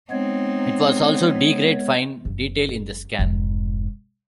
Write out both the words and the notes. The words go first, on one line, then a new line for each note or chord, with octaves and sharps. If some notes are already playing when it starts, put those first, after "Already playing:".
It will also degrade fine detail in the scan.
G#3 B3 C4 D#4 C#5
F#1
F1 G#2